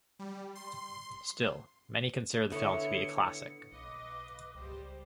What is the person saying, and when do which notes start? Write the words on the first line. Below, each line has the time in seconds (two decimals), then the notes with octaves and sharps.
Still, many consider the film to be a classic.
0.19 G3
0.55 C6
2.52 D3 B3 E4 C#5 C#7
3.71 B1 B4 D#5 F5 D6 F#6
4.54 C#2 G3 C5 G5